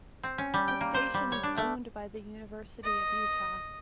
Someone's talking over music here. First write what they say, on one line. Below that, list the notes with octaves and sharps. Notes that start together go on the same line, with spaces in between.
The station is owned by the University of Utah.
C4
C#4
G3
G5
A#3
C5
G3
C#5
D4
A3
D#5